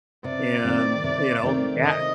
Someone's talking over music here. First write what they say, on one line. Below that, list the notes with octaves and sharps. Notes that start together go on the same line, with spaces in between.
and, you know, ga
C3 D5
D#3 A3 C4
C3
D#3 A3 C4
C3 D#5